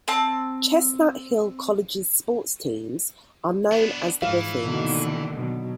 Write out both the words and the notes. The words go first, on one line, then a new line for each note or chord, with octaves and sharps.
Chestnut Hill College's sports teams are known as the Griffins.
C4 A5
B3 D4
G#2 E3 F3 F5
B2 D3 D#3 A#3
B2 F#3